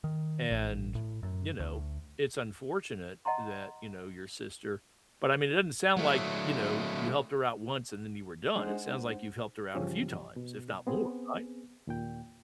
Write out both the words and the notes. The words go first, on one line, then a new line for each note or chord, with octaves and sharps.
And, you know, it's unfortunate that, you know, your sister but, I mean, it doesn't sound like, you know, you helped her out once and then you were done, it sounds like you've helped her out a few times, if not more, right?
D#3
A1
A2
F#2
D2
D#5 F#5 A5 A#5 C6
F#3 A3
G#3 D4 D#4 C5 F#5
G2 C#3 E3 F3 C#4 G4
B2
B3 C4 G#4
D#2 A#2 G5